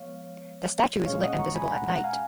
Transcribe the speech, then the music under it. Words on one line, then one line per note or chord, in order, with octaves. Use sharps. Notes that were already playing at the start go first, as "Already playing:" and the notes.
The statue is lit and visible at night.
Already playing: F3 G#3 B3 C#5 F5
A#2 G#3 C#4 C#5 F5
D#5 F#5
A#5 C#6
G#5 B5
F#5 A#5
F#5 A#5
F5 G#5